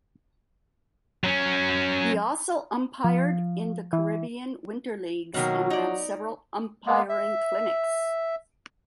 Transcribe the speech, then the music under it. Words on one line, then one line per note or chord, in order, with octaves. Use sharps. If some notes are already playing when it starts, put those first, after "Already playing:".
He also umpired in the Caribbean winter leagues, and ran several umpiring clinics.
F#3 C#4
F3
E3
B2 D#3 F#3 A#3
D#4 D5
G#3 A#3 B3
E5